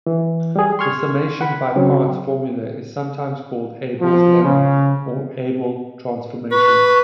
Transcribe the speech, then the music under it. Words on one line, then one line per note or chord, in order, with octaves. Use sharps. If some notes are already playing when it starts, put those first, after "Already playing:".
The summation by parts formula is sometimes called Abel's lemma or Abel transformation.
E3
G3 G#4
C6 C#6 F6 G#6
F#5 B5
C#3 F#3 C4
F3
C#3
B4 C#6